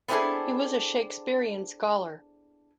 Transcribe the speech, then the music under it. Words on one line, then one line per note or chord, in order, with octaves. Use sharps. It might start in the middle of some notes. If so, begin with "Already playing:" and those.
He was a Shakespearian scholar.
B3 C4 D4 E4 G#4 A4